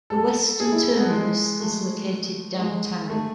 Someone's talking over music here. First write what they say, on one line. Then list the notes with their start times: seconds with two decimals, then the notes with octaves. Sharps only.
The western terminus is located downtown.
0.10 A4
0.60 G#4
0.72 E4
0.97 B3
1.09 G#3
1.60 A3
2.59 G#3
3.10 A3